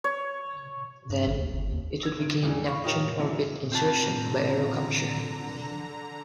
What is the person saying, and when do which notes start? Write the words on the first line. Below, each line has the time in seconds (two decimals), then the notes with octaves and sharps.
Then, it would begin Neptune orbit insertion by aerocapture.
0.04 C#5
1.10 G2
1.27 G#1
1.39 D#2
1.53 G1
1.72 D#2
2.03 E6 G#6
2.19 F#1 D7
2.43 E2 G#2 C#3 E3 G3
2.68 F5 B5 C#6
2.84 D#4 F4 G4 A#4 C#5
3.19 F#2 F#3 E4
3.72 D3 C4 F4 A5 A#5